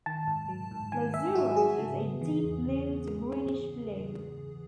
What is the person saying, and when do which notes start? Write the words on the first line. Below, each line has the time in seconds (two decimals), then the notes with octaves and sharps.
Lazurite is a deep blue to greenish blue.
0.06 D#3 A5
0.28 G#2
0.48 F#3
0.71 G#2
0.92 D#3 G#5
1.14 G#2 E5
1.35 F#3 F#4
1.56 G#2 G#4
1.79 C#3
2.00 B3
2.22 E3
2.43 E2
2.65 C#3